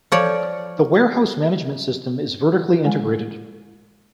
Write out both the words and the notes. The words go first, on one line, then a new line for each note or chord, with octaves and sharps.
The warehouse management system is vertically integrated.
F3 C#5 D5
G#3 G#5